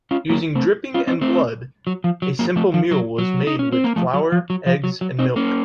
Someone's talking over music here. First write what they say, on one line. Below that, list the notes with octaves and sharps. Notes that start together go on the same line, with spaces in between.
Using dripping and blood, a simple meal was made with flour, eggs and milk.
C#4 F4
F#3 A#3
A3 C4
C#4 F4
C4 D#4
A3 C4
F#3
F3
F#3
F#3 A#3
F3 A3
F3
F#3
F#3
D#4
C#4
C4
A#3
F3 A3
F#3
F3
F#3
F3
F#3
F#3
C4 D#4
A#3 C#4